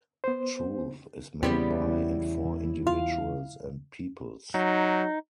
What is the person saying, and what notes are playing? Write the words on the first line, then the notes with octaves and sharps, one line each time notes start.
Truth is made by and for individuals and peoples.
B3 C5
E2 C#3 G3 B3 C4 E4 G4
F4 F5
F#3 D#4